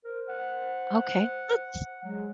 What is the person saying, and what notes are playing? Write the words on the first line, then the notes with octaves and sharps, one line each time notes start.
Okay, that's
A#4 C5
F#5
F#3 G#3